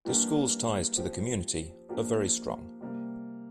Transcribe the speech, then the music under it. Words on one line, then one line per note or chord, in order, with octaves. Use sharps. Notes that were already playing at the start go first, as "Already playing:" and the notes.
The school's ties to the community are very strong.
E3 G3 A#3 D4 G4
F3 C4 G4
F3 A#3 D4 G4
C3 G3 A#3